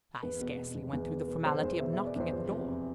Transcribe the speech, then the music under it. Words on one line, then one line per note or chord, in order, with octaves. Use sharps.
I scarcely went through the formality of knocking at the door.
E2 B4
B2
B2
E2
E2
B2
B2 B4
E2 C5
E2 C5
B2 E5
E5
B2
D5
E2 C5
F3
C3
F2